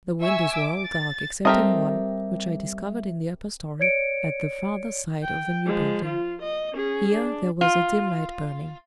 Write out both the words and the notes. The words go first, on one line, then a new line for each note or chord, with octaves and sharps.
The windows were all dark excepting one, which I discovered in the upper storey, at the farther side of the new building. Here, there was a dim light burning.
E5 G#5 C#6 E6
D6
A6
G3 C4 G4 A4 A#4 D#5 E5
C#5 D5 G#6 C#7 D7
G5
F3 G#3
F4
D#5
C#4 G#4
D4
F4